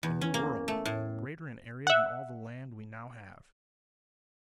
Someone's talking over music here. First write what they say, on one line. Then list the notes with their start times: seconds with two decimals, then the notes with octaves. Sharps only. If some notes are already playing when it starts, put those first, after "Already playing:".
A new world, greater in area than all the land we now have.
0.03 E2
0.21 C#4
0.34 A#3
0.68 A3
0.85 A2
1.87 E5 F#5